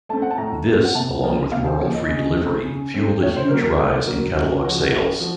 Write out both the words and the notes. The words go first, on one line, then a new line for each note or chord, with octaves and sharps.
This, along with Rural Free Delivery, fueled a huge rise in catalog sales.
A3 C4 A5
F#5
A5
A2 A#5
A3 C4
F#5
C3 A5
F3 A#3
C3 F5
C5
F3 A#3 C#5
D#5
C#3 D#5
A3 C4
C#3
A3 C4
A2 C#5
C5
F#3 A#3 A#4
A#4
A2 A#4
F#3 A#3 A#4
F#2 F#4
C#3 F3 F#4
F#4
F#2 A4
F3 F#4